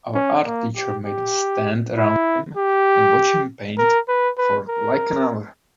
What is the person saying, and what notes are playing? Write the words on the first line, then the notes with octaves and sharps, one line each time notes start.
Our art teacher made us stand around him and watch him paint for like an hour.
C#4
A#3
G4
G4
E4
G4
A#4
B4
B4
A#4